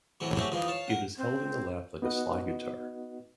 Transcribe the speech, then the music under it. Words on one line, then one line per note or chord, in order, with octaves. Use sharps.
It is held in the lap like a slide guitar.
A2 C3 E3 F#3 D4
F#3 A3 C4 C#4 F#4 G4
G2 E3 F3 D#4 F4
C#5 F5 A5
A#4 F#5
C4
B3 D#4 F#4 B4 D#5 F#5